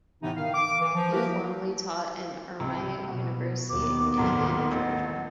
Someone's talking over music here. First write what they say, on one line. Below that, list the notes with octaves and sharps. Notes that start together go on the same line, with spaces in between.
He formerly taught at Emory University in Atlanta, Georgia.
A2 C3 E3 B3 D#4
D#3 F5
D6
E3
F3
A#3 E4 F#4 G4 A#4 B4
C#2 C3
B2 F#4
D#2 D#3 B3 D6
F2 A#2 F#3 F#5
A1